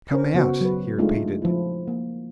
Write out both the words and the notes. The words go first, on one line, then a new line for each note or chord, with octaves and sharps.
"Come--out," he repeated.
C#4 A#4 C5
C#3 B3 F#4 C5
F#3 B4
G#3 A3 D4 D#4 F4
F3 E4
A#3